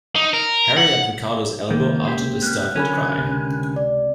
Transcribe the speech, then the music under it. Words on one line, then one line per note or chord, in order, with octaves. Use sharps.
Harry at Ricardo's elbow uttered a stifled cry.
D#4
A#4
F#5
C#2 D#3 A#3 G6
G4 C5
C4 F6 F#6
D3 F#3 C#4 A#4 G#5 B5
C#2 C3
D5